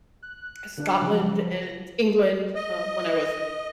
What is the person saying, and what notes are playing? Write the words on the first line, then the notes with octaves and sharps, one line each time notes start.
Scotland and England, um, when I was,
F#6
D3 D4
C#3 F3 F#3
A#6
D#5